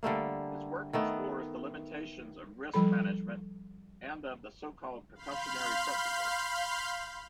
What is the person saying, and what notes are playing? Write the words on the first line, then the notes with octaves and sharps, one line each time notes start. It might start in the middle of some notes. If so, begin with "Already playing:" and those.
His work explores the limitations of risk management and of the so-called precautionary principle.
D3 G3 A3 A#3
D#3 A3 B3
F3 G3 A4 B5
F5 B5 C6 F6 G6